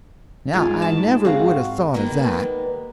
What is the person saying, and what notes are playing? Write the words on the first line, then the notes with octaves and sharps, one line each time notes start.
Now I never would 'a' thought of that.
G#2 F4 G#4
A5
C4 F#4 G#4 F5
B2 D#3 G3 G#3 A#3 B3